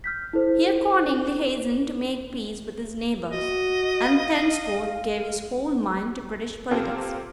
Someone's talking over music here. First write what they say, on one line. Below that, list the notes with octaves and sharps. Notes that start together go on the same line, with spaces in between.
He accordingly hastened to make peace with his neighbours, and thenceforth gave his whole mind to British politics.
F6 G6 B6
E4 A4 C5
F#4 D#5
F5
C3 A#3 C4 F4 A4